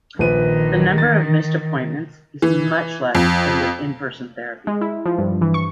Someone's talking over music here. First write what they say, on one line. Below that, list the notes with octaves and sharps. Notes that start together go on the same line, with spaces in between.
The number of missed appointments is much less than with in-person therapy.
A#1 D#3 B4 D#7
A6
E3
F2
G#3
E4
F3
G2
E3
C#6